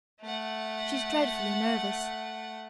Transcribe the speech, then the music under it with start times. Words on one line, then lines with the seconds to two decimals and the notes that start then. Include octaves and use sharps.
She's dreadfully nervous.
0.21 A3 F#5